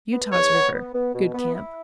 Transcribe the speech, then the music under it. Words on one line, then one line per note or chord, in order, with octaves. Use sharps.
Utah's River.--Good camp.
B3
E2 C#5
B3
B3
B3
B2
B3
E4